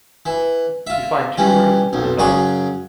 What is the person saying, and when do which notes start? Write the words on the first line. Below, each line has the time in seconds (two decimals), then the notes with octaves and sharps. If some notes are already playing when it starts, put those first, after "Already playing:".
We find two rooms within the tunnel.
0.26 E3
0.87 F4 E5
1.38 E3 G3 C#4
1.93 B1 F2
2.19 F#2 C#3 F#3 G#4 C#6